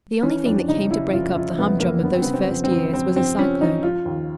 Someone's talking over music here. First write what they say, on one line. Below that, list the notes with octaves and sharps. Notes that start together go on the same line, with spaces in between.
The only thing that came to break up the humdrum of those first years was a cyclone.
E3 C#4
F2 D4
C#3 D#4
C#3 E4
F1 F4
F2 F4
F1 B3
F1 A#3
G1 B3
C4
C#3 B3
C4
F2
C4
F2
F2 C4
F2 C4
F3 C#4
F3 D#4
F3 F4
D#2